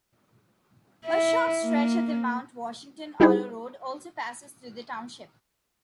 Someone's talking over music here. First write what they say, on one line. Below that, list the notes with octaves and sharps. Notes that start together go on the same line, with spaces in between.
A short stretch of the Mount Washington Auto Road also passes through the township.
E4
A#3
G3 D#4 E4 G4 G#4 C5